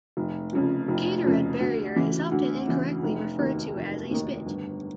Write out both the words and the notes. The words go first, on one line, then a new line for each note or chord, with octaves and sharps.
Kaitorete Barrier is often incorrectly referred to as a spit.
F1
F2 C#3 F3
F1
F2 C#3 F3
D2
C#3 E3
D2
C#3 E3
F1
D#2 D#3
F1
D#2 D#3
G1